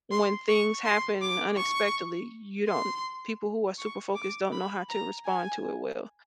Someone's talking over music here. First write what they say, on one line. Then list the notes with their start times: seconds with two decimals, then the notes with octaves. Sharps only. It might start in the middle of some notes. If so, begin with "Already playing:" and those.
when things happen unexpectedly, you don't people who are super focused don't know how to respond to it well.
0.11 C6
0.48 C#6
0.85 C6
1.22 D6
1.58 C#6
2.68 C6
3.78 C#6
4.15 D6
4.52 B5
4.89 A#5
5.26 G#5